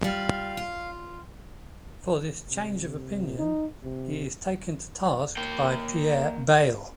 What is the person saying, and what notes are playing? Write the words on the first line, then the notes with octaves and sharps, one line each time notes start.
For this change of opinion he is taken to task by Pierre Bayle.
G3 F4 F5
F4
C3
D#4
C3
A#3 G5